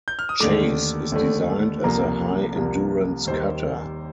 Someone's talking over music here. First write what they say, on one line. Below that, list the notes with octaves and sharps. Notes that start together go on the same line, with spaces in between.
"Chase" is designed as a high endurance cutter.
G6
F6
D#6
D#2 D3 A3 D6
D#2 D3 A3
C2 C3 F3 A#3 A#5
C2 C3 F3 A#3
D#2 D#3 G3 A#3 C5